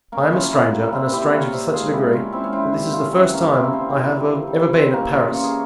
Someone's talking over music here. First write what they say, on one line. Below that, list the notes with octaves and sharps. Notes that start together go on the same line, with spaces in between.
I am a stranger, and a stranger to such a degree, that this is the first time I have ever been at Paris.
A#3 C#4
C3 E4
C#4 F4
C3
C4 E4
G3 A#3 C#4
C4 E4
G3
E4 G4
G3
C#5 F5
G3 C5 E5
F4 G#4
G#2
E4 G4
G3
C#4 F4
G#2 C4 E4
C#4
C4 E4
G3
E4 G4
G#2
C#4 F4
E3 C4 E4
A#3 C#4
G2
C4 E4
G2 C#4
C4
G2
G3
G3
E3 C4
A#3 C#4
G2
C#4 F4
E3
C#4 F4
G#4